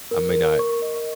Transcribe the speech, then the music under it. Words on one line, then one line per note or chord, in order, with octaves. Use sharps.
I may not
A#4
A#4
C#6
D#5